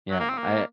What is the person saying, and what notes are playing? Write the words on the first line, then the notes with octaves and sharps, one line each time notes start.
Yeah. I
F#3
A#3
C4
A#3